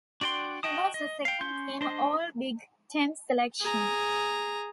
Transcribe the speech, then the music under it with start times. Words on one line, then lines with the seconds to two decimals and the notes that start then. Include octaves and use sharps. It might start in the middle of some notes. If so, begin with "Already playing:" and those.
He was a Second Team All-Big Ten selection.
0.21 D4 F#4 D5 G5 C6
0.63 F#4 D#5 G5 A5 D#6
0.94 D#5
1.25 F5 G5
1.41 C#4 C6 G6
1.81 D4 C5 D#5
3.61 G#4 A#5